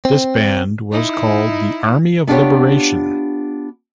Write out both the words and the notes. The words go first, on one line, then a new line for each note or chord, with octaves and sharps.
This band was called the "Army of Liberation".
C4
D#4 E4
B3 D4 F4 G4 C#5